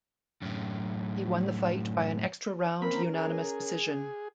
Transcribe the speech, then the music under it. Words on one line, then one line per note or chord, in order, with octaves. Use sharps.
He won the fight by an extra round unanimous decision.
F#2 A2
A#3 C4 C#4 A#4 B5
G#4